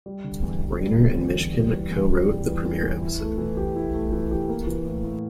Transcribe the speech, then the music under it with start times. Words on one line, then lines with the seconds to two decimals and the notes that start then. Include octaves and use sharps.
Reiner and Mishkin co-wrote the premiere episode.
0.06 G3
0.24 D3
0.42 E2
0.61 E2
0.80 G3
0.98 D3
1.17 E2
1.36 E2
1.54 G3
1.73 E3
1.91 E2
2.10 E2
2.27 G3
2.46 E3
2.65 E2
2.83 E2
3.01 E4
3.20 A3
3.38 E3
3.57 G4
3.76 E4
3.94 A3
4.12 E3
4.31 G4
4.49 A#3
4.67 E3
4.86 A2
5.04 A2